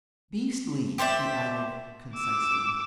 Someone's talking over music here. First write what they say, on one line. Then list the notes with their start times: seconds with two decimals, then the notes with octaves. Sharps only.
"Beastly!" he added concisely.
0.98 G4 C5 D5 E5
2.16 D6 E6